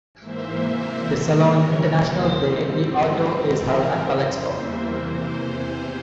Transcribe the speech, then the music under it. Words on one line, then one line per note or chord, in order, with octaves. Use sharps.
The Salon International de l'Auto is held at Palexpo.
G#2 E3 A#3 C5 E5
C3 E3 A#3 C5 E5
G#2 G3 A#3
C3 E3 G3 A#4 C#5
E2 C#3 E3 G3 A#3 C5
G#2 G3 C4
G#2 G3 C4
G#2 F3 C4
G#2 E3 G3 C4 A#4
F2 C#3 G3 C5
E2 E3 G3 A#3 C5 E5
C3 E3 A#3 C5
E2 C3 E3 C5